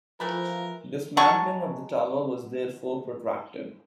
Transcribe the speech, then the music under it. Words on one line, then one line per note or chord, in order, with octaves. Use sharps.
Dismantling of the tower was therefore protracted.
E3 F3 A3 A#4 B4
F#3 G#3 A5 C#6